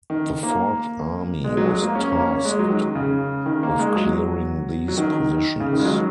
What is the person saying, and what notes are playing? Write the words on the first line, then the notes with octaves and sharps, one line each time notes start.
The Fourth Army was tasked with clearing these positions.
D#3
A#3
G#3
F#3
G#3
A#3
C#4
A#3
C#4
G#3
F#3
D#3
C#3
D#3
A#3
G#3
F#3
F#3
D#3
C#3
D#3
G#3
F#3